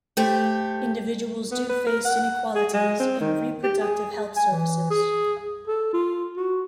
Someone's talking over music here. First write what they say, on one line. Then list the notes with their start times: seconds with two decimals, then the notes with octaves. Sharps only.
Individuals do face inequalities in reproductive health services.
0.17 A3 G4 C5
1.51 B3
1.69 B4
1.87 A#4
2.05 F#5
2.55 G#4
2.73 G#3
3.00 C4
3.21 D#3
3.63 G4
3.81 G#4
4.36 G#5
4.52 E3
4.90 G#4
5.67 A4
5.93 F4
6.37 F#4